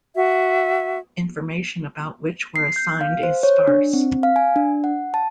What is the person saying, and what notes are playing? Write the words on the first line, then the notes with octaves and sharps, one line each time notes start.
Information about which were assigned is sparse.
F#4 E5
C7
G6
F5
C5
C#5
D4
C4
F5
G#5
D4
F#5
A5